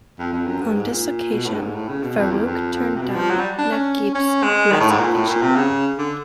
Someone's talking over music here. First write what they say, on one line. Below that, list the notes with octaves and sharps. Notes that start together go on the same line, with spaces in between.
On this occasion, Farouk turned down Naguib's resignation.
F2
F2
F#2
G2
G#2
A#2
B2
A2
G2
G#2
A2
C#3
B2
F2
E2
F2
F2
C3
B2
F3
F#3
G3
D4
C#4
C#4
G#3
D#3
A2
G#2
A#2
A2
A#2
C3
C#3
D3